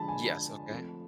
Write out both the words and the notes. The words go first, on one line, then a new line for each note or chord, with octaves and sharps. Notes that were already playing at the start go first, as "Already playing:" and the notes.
Yes, okay.
Already playing: D3 F3 G#3 A5 B5
G#5
A5
F3 A3 C4